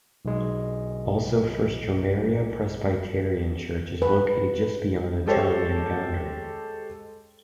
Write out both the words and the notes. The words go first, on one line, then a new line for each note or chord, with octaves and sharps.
Also First Dromara Presbyterian Church is located just beyond the townland boundary.
B1 G#3
B4
G#3 G4 A4 C5 C#5